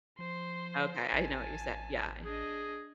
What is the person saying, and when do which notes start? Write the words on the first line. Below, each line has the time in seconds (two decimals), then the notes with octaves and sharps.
Okay, I didn't know what you said. Yeah, I
0.19 F3 C5 C6
1.13 A1 G#5 A5
2.25 D4 G#4 D#5